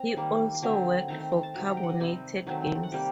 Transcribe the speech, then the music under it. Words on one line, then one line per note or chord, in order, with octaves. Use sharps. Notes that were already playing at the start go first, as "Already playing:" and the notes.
He also worked for Carbonated Games.
Already playing: C4 A#5
D#3 G3 A#3
C6
D3 F#3 C4 A#5
D#3 A3 C4 A#5
C6
A#5
A5
C3 D#3 F#3 A#5
A#5
G5
F#5
D#5
C3 G3 C4 D#5
D#3 F#3 A3 C4
F#5
C3 G3 A#3 G5